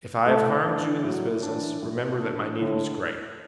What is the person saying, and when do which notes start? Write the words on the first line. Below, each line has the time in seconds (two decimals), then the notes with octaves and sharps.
If I have harmed you in this business, remember that my need was great.
0.26 A2 A3
0.65 E3 D4
1.04 A2 F#3
1.43 E3 D4
1.82 A2
2.20 E3 D4
2.59 A2 D3